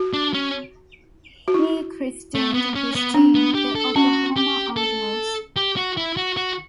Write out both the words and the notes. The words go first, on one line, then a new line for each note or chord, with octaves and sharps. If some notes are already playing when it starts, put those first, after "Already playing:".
He christened his team the Oklahoma Outlaws.
Already playing: F#4
D4
C#4
F#4
E4
A3
B3
C#4
B3
D4
B3
G4
A4
C#4 F#4
G4
A4
G4
F#4
E4
F#4
F#4